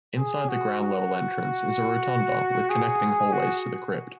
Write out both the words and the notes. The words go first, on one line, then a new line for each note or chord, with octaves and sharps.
Inside the ground level entrance is a rotunda with connecting hallways to the crypt.
G#4
F#4
F#4
G#4
F#4